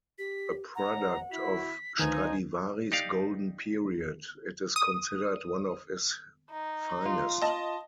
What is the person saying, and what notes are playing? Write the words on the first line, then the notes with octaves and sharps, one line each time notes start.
A product of Stradivari's golden period, it is considered one of his finest.
G4 B6
F#5 A#5
E4 F#4 B6
D2 D#3 F3 D#4 B4 G#5
D#4 G4 D5 F5
D#6
D#4
F4
D#5 A5